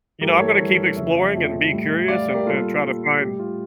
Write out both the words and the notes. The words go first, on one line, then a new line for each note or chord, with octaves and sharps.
you know, I'm gonna keep exploring and be curious and and try to find
G2 E3 A3 G4 A#4
A4 C#5
G2 E3 A3
F2 C#3 F3 A3 C#5 E5
F2 C#3 F3 A3
A2 G3
A2 G3 D5 F5
G4 A#4
A#2 G3 F4 A4
A#2 G3
A2 G3 G4
F4